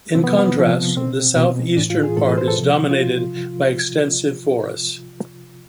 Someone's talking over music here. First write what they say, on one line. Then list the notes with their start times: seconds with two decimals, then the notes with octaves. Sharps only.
In contrast, the southeastern part is dominated by extensive forests.
0.15 C3 F3 C4
0.24 B3
0.39 B3
0.56 C3 F3
0.96 B2 C4
1.36 B2
1.77 A2 E3 D4
1.90 F4
2.03 G#4
2.17 A2 E3 A4
2.28 B4
2.38 C5
2.48 A4
2.58 C3 F3
2.91 F4